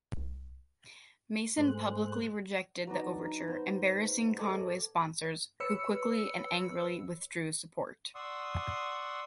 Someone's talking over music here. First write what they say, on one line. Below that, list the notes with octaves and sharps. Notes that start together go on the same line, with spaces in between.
Mason publicly rejected the overture, embarrassing Conway's sponsors, who quickly and angrily withdrew support.
C2
G#2 A3 G#4 C5 F#6
F#3 B3 D4 D#4
D#4
B3 C5
F#5
G#4 A4 D5 D#5
B4 C#5 B5 E6 C#7
D5 F#5 C6 C#6 D#6 E6